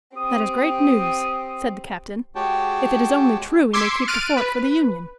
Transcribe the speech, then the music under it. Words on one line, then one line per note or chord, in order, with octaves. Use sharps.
"That is great news," said the Captain; "if it is only true we may keep the fort for the Union."
C4 G4 D#6
G#3 F#4 G4 C#5 G5 A5
C6 D6 E6 G#6 B6 C#7
F6 F#6 A6 D7 D#7
B4